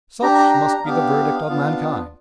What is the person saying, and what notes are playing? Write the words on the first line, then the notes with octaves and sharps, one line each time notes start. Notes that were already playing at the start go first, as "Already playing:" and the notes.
Such must be the verdict of mankind.
D4 G4 A#5
A#5
A#5
A#5
B3 D4 G4 F5
B3 D4 F4